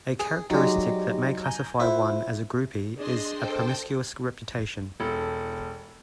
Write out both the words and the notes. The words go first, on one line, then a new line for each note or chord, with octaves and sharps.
A characteristic that may classify one as a groupie is a promiscuous reputation.
G#4
F#3 G#3 D#4 G4 D5
G#5 A#5 G6
E4 F4 C5 F#5
D4 G#4 D#5 C6 C7
A4 C5 G5
E1 A4